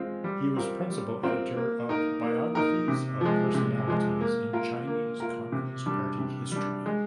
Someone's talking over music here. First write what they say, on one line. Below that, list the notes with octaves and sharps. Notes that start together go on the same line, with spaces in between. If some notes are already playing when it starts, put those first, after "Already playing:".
He was principal editor of "Biographies of Personalities in Chinese Communist Party History".
Already playing: G#3 C4 F4
G3
C4 F4 A#4
G3
C4 F4 A#4
A#3
D#4 A#4
A#3
D#4 A#4
C3
F3 G#3
C3
F3 G#3
A#3
F4 A#4
A#3
F4 A#4
C3
G3 D4
C3
G3 D4
G#3